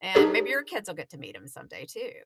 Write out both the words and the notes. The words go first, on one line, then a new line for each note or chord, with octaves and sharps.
and maybe your kids will get to meet him someday too,
D4 D#4 G4 G#4 A#4 C#5